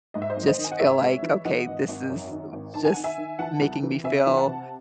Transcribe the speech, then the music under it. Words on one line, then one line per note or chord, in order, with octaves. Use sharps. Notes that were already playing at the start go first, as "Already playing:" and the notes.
just feel like, "Okay, this is, eh, just making me feel
G#2 D#5
E5
C5 D#5
G#1
C5 D#5
D#3
G#5
F#5
G#1 C#5 E5
G#3
E3
E3 D#5 F#5
G#1
G#1
F#2
D#3
G#1
D#3 A5
G#5
D#3 F#5
E5 G#5
D#3
E3 F#5 A5
C2
E3
C3 E5 G#5
E3
F#5 A5
C3